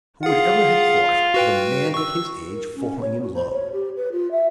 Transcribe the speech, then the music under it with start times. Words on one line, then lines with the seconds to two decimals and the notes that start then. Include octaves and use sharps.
Who would ever have thought of a man at his age falling in love?
0.23 F4 G#4 F#5
1.34 F#4 B4 G5
1.94 C#6 E6
2.49 A#4
2.75 C#4
3.01 C#5
3.22 F#4
3.34 C5
3.53 C#5
3.72 G4
3.96 B4
4.12 F4
4.31 E5